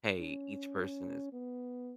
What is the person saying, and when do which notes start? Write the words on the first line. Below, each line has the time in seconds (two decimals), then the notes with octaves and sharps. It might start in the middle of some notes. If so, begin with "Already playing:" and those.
hey, each person is
0.20 C#4
1.33 B3